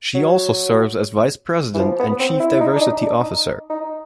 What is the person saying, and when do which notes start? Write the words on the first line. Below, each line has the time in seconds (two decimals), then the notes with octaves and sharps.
She also serves as Vice President and Chief diversity officer.
0.15 F#3
1.74 E3
1.79 F3
1.99 B3
2.19 C4
2.40 E4
2.53 E4
2.60 D#4
2.76 D4
2.81 D#4
3.01 D4
3.22 D#4
3.70 D#4